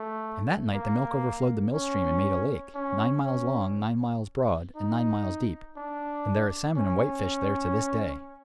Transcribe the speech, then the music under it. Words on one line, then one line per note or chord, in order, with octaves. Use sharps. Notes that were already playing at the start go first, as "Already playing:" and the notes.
And that night the milk overflowed the mill-stream and made a lake, nine miles long, nine miles broad, and nine miles deep; and there are salmon and whitefish there to this day.
Already playing: A3
A#3
C#4
C#4
C#4
D#4
D4
C#4